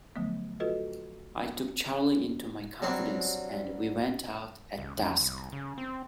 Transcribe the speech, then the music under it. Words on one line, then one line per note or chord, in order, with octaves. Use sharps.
I took Charley into my confidence, and we went out at dusk.
D3 F3 F#3 A3 B3
F4 F#4 A4 B4 D#5
F#3 G3 C4 D4
C#2
F2
C2
C#3
C4